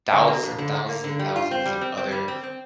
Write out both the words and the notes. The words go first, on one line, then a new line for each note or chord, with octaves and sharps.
thousands and thousands and thousands of other,
D3
A#3
F2
D3
D3
A#3
D3
G3
F4
C4
G3
C4
C4
G3
C4
C4